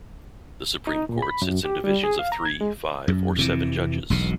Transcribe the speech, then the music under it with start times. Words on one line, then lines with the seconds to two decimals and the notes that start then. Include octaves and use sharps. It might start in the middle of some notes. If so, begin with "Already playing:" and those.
The Supreme Court sits in divisions of three, five or seven judges.
0.87 D#4
1.09 A#2
1.22 B5
1.42 F#2
1.65 G4
1.84 G3
2.03 G#4
2.19 F5
2.32 A#5
2.45 G#6
2.61 G#3
3.08 F#2
3.36 F2 C3 E3
4.10 E1 B1 B2